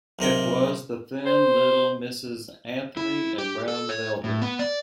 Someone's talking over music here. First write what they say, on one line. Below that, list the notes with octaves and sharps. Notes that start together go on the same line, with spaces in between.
It was the thin little Mrs. Anthony in brown velvet.
B1 C3 A#4 G5
C5
E4
G4
A4
C#5
A2
B3
D5